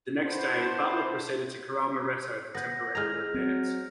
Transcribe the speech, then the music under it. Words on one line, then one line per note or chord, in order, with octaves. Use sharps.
The next day, "Butler" proceeded to Kerama Retto for temporary repairs.
D4 E4 F#4 B4 C5
B3 B4 G6 A#6
G#3 F4 A#5 F6 F7
F#3 C4